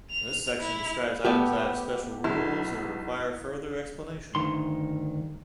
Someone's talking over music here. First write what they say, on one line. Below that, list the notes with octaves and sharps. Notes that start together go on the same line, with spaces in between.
This section describes items that have special rules or require further explanation.
F7
E4 F7
A3 B3 G4 A4 F#5
B1 E4
D2 G2 D#3 C6